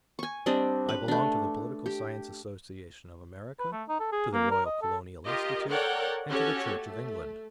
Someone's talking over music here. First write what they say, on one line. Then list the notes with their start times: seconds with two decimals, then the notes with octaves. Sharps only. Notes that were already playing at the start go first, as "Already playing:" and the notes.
I belong to the Political Science Association of America, to the Royal Colonial Institute, and to the Church of England.
0.19 G#5 C#6
0.46 G3 C4 D4 D#5
0.89 B4
1.08 A3 D4
1.86 G4
3.59 B4
3.72 A3
3.88 D#4
4.00 A4
4.12 G#4
4.33 A#3
4.51 A#4
4.66 D#5
4.82 A4
5.26 F4 G4 A#4 D#5
5.69 A4 A#4 C#5 D5 F#5 G5
6.29 C#4 F#4 G4 A4 C#5
6.74 A3